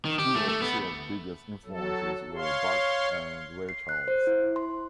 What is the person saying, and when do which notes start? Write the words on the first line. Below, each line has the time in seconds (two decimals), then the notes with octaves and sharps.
Two of Sill's biggest influences were Bach and Ray Charles.
0.05 D#3
0.19 G4
0.35 A3
0.49 A3
0.62 B3
1.65 F#3 A4
2.36 C#5 F5 C6
3.69 C7
3.89 F#6
4.08 C5
4.27 E4
4.56 C6